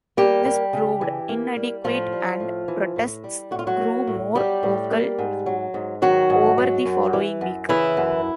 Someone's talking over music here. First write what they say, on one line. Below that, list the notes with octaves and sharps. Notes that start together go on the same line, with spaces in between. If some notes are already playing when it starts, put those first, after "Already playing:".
This proved inadequate and protests grew more vocal over the following week.
G3 A#3 G4
G3
C#3
E3
A#3
G3
A2 F3 F4
G3
A2
E3
A2
G3
A2 F#4
F4
F#3 F#4
A#3
A2
F#3 G3 G4
A2
A#3
G#2
F#3
G#2
D#3 F#3 F#4
G#2
F#3
F#2
E3
F#2
C#3 E3 E4
F#2